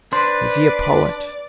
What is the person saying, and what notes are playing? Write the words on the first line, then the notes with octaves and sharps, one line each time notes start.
Is he a poet?
D4 B4 C5 D5